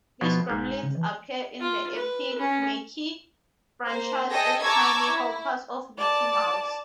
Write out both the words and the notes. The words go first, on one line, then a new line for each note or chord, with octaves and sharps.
The Gremlins appear in the "Epic Mickey" franchise as tiny helpers of Mickey Mouse.
B2 F3 B3 F4
E1 G#2
C#3
E3
F4
B4
C#4
A#3 C5
G#4 A4 D#5 G5 A#6
A5 A#5 C#6 D6 E6 G#6
E4
D5 A5